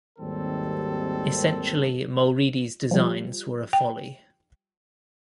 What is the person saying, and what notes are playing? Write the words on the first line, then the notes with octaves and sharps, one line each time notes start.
Essentially Mulready's designs were a folly.
G#1 D#2 D#3 G3 C4 A4
F3 G3
G5